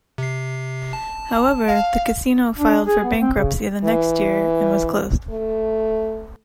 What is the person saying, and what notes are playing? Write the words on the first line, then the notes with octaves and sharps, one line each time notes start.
However, the casino filed for bankruptcy the next year and was closed.
C3 C7
A5
F5
D4
G#4
B3
C4
C#3
E3
A3